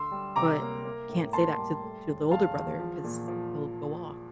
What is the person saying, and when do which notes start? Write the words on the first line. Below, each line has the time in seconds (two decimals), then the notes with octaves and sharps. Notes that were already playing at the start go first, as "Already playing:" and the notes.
but can't say that to to the older brother 'cause he'll go off.
Already playing: D2 C6 E6
0.12 G3
0.36 C3 A#5 D6
0.61 A#3
0.85 A#3
1.09 A2
1.33 A#3 A5 C6
1.58 G3
1.82 A3
2.07 E1
2.31 E2 F5 A5
2.55 E2
2.80 F3
3.04 A#2
3.28 F3